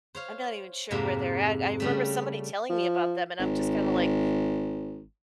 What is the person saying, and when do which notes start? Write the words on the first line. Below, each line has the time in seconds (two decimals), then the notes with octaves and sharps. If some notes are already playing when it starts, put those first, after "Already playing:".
I'm not even sure where they're at, I remember somebody telling me about them, and I'm just kinda like,
0.15 C5 C#5 F5
0.91 F2 G#2 C3 A#3
1.80 C#3 G3 A3
2.70 F3
3.39 G#1